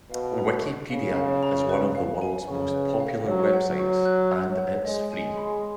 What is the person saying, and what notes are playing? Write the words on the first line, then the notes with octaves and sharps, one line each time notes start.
Wikipedia is one of the world's most popular websites, and it's free!
B2 F5
A#5
C#6
C#3 F5
F5
A#5
B4
F5
G#5
C#3 C#6
B4
F5
F#3 C#5
F#5
F#3
C#6
F#6
C#5
F#5
G#3 D#5
G#5
B5